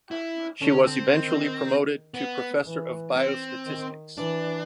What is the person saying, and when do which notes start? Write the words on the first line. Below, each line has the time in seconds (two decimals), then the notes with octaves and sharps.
She was eventually promoted to Professor of Biostatistics.
0.11 E4
0.61 D3 C#4
0.86 C4
1.13 D#3
2.14 B3
2.65 E3
3.16 C4
3.66 D#3
4.18 E3 D4